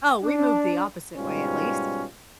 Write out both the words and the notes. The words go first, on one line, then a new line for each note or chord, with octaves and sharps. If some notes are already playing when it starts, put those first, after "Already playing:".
Oh, we moved the opposite way at least.
D4
G#2 B2 G3 C#4 F4